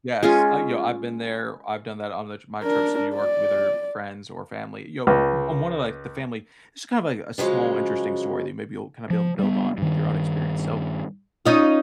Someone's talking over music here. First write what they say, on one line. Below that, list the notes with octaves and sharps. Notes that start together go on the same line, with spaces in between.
Yes, I, yo I've been there. I've done that on the my trips to New York with her friends or family. Yo, m I'm one of, like, the family it's kind of a a small interesting story that maybe you'll kinda be able to build on with your own experience. So,
G#3 C#4 F4 G#4
D4 A#4
D5
C#2
C#3 F3 F#3 G#3 C#4
F3
G3 B3
G2 D#3
C#4 D#4 F4